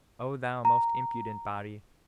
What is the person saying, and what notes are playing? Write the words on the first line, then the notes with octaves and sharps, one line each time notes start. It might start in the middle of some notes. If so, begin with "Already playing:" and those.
O thou most impudent body!
A#5